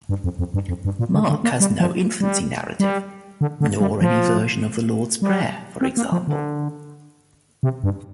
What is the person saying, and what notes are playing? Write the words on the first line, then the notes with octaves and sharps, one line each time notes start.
Mark has no infancy narrative nor any version of the Lord's Prayer, for example.
G2
F2
F2
G2
F2
G2
A#2
D3
D3
A#3
G3
F3
G3
G3
D3
D3
G3
F3
G3
C4
A#3
F3
D3
C3
G2